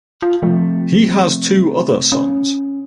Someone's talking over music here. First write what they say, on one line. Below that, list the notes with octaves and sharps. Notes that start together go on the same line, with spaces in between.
He has two other sons.
F4
C3 F3 A3
C#4